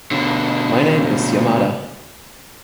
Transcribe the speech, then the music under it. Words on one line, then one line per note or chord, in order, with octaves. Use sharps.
My name is Yamada.
B2 D3